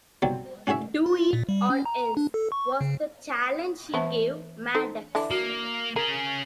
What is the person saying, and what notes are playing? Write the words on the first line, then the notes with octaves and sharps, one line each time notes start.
"Do it, or else" was the challenge he gave Maddux.
B2 F#3 G3 C4
C#4 F#4 G#4 C#5 E5
F4
A#2
G3
C#4
A#5
D4
A4
C#6
C#3
E3 B3 E5 A5
D#4 A4 C5
D3 E3 D4 E5
A#3 F#4
C#4 G#4 A#4